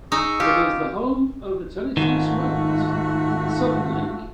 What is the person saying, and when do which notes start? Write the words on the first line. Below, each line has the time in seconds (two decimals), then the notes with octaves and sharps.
It is the home of the Tennessee Smokies of the Southern League.
0.12 D#4 G#4 C#6 E6
0.40 F4 G4
1.97 G#2 D#3 A3 F4 F#4